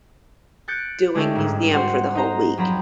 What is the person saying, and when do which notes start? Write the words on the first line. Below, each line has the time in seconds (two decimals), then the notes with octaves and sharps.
doing museum for the whole week.
0.68 F#6 G6 A6 C#7 D7
1.15 D3 G#3 A3 C#4 G4 A4
1.35 G1 G#2
1.74 F#4 C5 F#5 C6
2.15 D#4 C5 A#5
2.58 F2 F#3 C4 A#5 B5